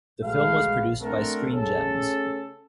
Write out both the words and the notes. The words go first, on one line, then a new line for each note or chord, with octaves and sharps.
The film was produced by Screen Gems.
G#3 A3 F#4 B4 F5
A3 C4 D4 F#4 A4 A#4
C#3 A3 C#4 A4